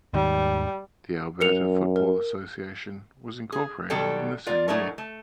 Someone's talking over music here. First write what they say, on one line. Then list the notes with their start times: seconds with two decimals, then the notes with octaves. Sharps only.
The Alberta Football Association was incorporated in the same year.
0.13 D#2 G#2 D#3 G3
1.41 F#2 A#4 C#7 F7
1.96 A#4
3.52 G#4
3.90 B2 D#3 F#3 G3 A4 G5
4.47 F4 A#4 D5
4.68 F#3 G#3 A3 D4 E4 A#4
4.98 A3